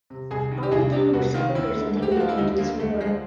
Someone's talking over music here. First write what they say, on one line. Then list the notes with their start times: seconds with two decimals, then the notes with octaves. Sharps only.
All of them were supporters of the Independence War.
0.10 C3
0.31 C2 G#4
0.51 D#3
0.63 G4
0.71 C2 G#4
0.92 C3 G4
1.13 C2 F#4
1.34 D#3 F4
1.55 D2 E4
1.76 D3
1.97 D2
2.02 G4
2.12 F#4
2.17 F3 F4
2.29 E4
2.37 D2 D#4
2.58 D3 A#3
2.79 D2 A3
3.00 F3 G#3